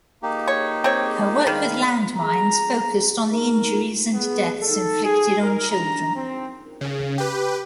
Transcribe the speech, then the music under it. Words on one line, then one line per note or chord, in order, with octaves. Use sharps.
Her work with landmines focused on the injuries and deaths inflicted on children.
A#3 D#4 G4
C#5
C4 C#5
D#3 F5 B5
A#5
A#4
B3
A4
G#4
A#4
A#5
C4
C#3
G4 B4